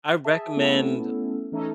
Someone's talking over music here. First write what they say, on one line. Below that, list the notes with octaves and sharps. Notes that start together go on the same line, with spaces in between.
I recommend,
G#4 E5 A5
A3 B3 C#4 E4 A4
E3 A3 C#4 D#4 A4